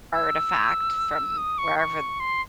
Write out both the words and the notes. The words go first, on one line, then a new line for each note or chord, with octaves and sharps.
artifact from wherever
E6
D#6
C#6
C#6
C6